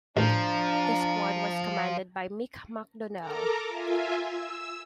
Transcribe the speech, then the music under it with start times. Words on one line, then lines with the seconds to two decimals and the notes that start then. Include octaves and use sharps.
The Squad was commanded by Mick McDonnell.
0.17 A1 F3 D4 A#5
3.19 A4 A#4 A#5 D6
3.67 F4 E5 G#5
4.18 E6